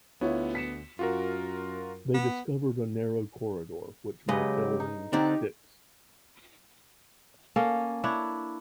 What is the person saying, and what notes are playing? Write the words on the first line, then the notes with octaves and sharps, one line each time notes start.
They discovered a narrow corridor which Martel named "Styx".
D2 B3 E4 F4 C#5
B6 C#7 E7
F#2 F4 F#4 A#4
B3
C#3 F#3 G#3 G4 B4 D#5
D#4
D3 C4 D4 D#4 G4
A#3 C#4 A4
D4 E4 C#5